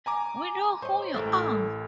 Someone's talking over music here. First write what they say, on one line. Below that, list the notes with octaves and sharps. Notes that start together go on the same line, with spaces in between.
We know who you are.
G#5 A#5 D6
C5 C#5 D#5
A1 A2 A4 A#4